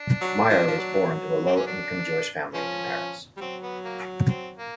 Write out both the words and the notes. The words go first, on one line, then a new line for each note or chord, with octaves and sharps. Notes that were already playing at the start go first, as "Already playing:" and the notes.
Meyer was born to a low income Jewish family in Paris.
Already playing: D4
F#3
F3
F3
F#3
C4
C#4
D4
F3 C#4
G3
F#3 C4
B3
A#3
C4
A#3